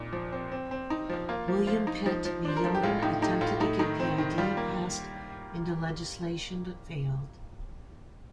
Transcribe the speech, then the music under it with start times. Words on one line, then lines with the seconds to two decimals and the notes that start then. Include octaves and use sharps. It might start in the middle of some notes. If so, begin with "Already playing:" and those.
William Pitt the Younger attempted to get the idea passed into legislation but failed.
Already playing: A#2 D#4
0.13 F3
0.32 C4
0.52 C4
0.71 C4
0.90 D#4
1.09 F3
1.29 A#3 F4
1.48 F3
1.67 F3 F4
1.87 D#4
2.06 F3 D#4
2.25 F3
2.45 D4 C5
2.57 A#4
2.64 F3 A4
2.75 G4
2.83 A2 F4
3.03 A2 D#4 G4
3.22 A3 D#4 G4
3.41 A2 F4
3.60 A3 D#4
3.79 D#3 D#4
4.00 C4
4.18 D#3
4.38 G3 F4
4.57 A#3